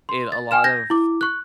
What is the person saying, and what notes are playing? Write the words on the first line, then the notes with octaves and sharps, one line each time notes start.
it a lot of
C6
A6
G5 G#5 F6 E7
G6 G#6 A#6
E4 D6
C#6 F#6